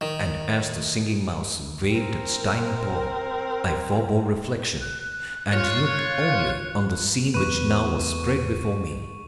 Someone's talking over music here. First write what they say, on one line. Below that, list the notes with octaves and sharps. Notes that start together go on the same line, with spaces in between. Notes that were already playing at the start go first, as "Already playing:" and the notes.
And as the Singing Mouse waved its tiny paw I forbore reflection and looked only on the scene which now was spread before me.
D#3
C4 A#4
F#6
F4 C#5
E2 B4 C#6 D#7